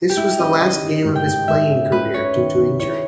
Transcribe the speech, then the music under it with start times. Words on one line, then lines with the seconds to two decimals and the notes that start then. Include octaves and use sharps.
This was the last game of his playing career due to injury.
0.10 G4
0.17 G#3 E4
0.39 C#4 D#5
0.61 D#3 D#5
0.82 D#3
1.05 G#2
1.16 G5
1.26 G#2
1.48 G#2 E5
1.70 C#4
1.92 G#3 B4
2.14 C#4 C#5
2.36 D#3
2.58 D#3
2.80 E4 C#5